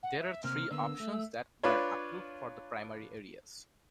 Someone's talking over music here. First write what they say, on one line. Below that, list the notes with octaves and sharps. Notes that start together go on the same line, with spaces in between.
There are three options that were approved for the primary areas.
F#5
E5
C3 A#3 F6
D3 A#3 B3 E6
A3
D4 F4 B4 C#5